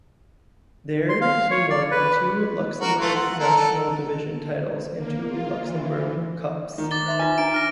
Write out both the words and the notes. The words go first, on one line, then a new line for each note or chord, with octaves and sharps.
There he won two Luxembourg National Division titles and two Luxembourg Cups.
C6
F5
C#5
D5
B4
F#4 A#4
A3 F4
F#5
A4 A#4
A4
A#3
F4
E3
D#3
D6 A6 G7
C5 E5 C6
F4 B4 G#5
D4 A#5 D7
F6 A#6